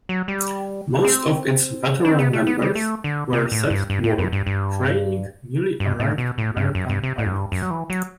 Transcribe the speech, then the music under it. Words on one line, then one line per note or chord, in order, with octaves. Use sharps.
Most of its veteran members were set to work training newly arrived American pilots.
F#3
G3
C4
D4
C4
B3
A3
B3
G3
A3
D3
C3
A2
G2
G2
A2
F#2
G2
G2
G2
A2
B2
A2
G2
F#2
G2
C3
A2
F#2
G2
F#2
F#3
E3
F#3